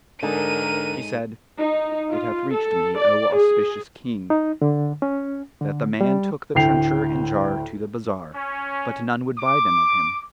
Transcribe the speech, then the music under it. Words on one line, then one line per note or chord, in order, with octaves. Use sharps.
She said, It hath reached me, O auspicious King, that the man took the trencher and jar to the bazar, but none would buy them of him.
G#2 D3 D#4 G#4 A#4 D#7
D#4
F4
A4
D5
G#4
D#4
D3
C#4
D3
G3
D2 A2 G5 C7 F7
C#4
D6